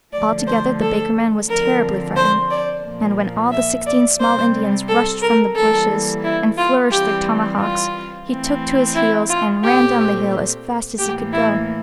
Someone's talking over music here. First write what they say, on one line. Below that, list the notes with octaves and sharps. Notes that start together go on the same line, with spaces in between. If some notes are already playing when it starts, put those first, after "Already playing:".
Altogether, the baker-man was terribly frightened; and when all the sixteen small Indians rushed from the bushes and flourished their tomahawks, he took to his heels and ran down the hill as fast as he could go!
D3 F3 A3 D5
C5
A4
D3 F3 C4 A#4
C5
D5
A#2 F3 A#3
E5
D5
C3 G3 C4 C5
A4
A#4
E3 G3 A#3 A4
E4
F4
E3 G3 C4 G4
F4
E3 A3 C4
E4
F4
A#2 A3 C4 G4
A2 E3 A#3 G4
E4